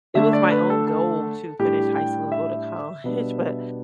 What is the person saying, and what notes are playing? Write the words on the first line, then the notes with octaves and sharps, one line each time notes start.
it was my own goal to finish high school, and go to college. But
D3 A3 D4 E5
D5
B4
A4
A4
A2 G3 D4 G4
G5
E5
B2 G3 B3 D4